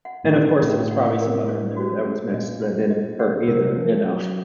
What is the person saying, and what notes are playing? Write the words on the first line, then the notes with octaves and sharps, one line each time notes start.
And, of course, there was probably some butter in there that was mixed that didn't hurt either, you know.
F#5
A2
C5
A2 F4
F#5
A#4
C#5
F#4
C#4
A#2 D#5
C5
D#5
F#5
C3 A#4
F3 C#4
F#3 C#4